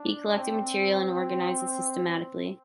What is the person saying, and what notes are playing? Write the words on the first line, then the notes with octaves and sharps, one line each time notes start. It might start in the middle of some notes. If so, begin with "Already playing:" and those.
He collected material and organised it systematically.
Already playing: D4
C4